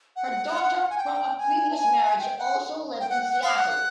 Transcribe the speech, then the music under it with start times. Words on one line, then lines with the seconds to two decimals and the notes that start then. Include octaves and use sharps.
Her daughter from a previous marriage also lived in Seattle.
0.16 F#5
0.90 G#5
0.97 G5
1.38 G#5
1.70 A5
1.77 G#5
2.19 G5
2.38 F#5
3.00 G5
3.09 F#5
3.29 F#5
3.43 F5
3.56 F#5